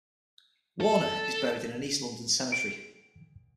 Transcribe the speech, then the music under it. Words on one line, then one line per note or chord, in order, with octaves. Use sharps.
Warner is buried in East London Cemetery.
A4
D7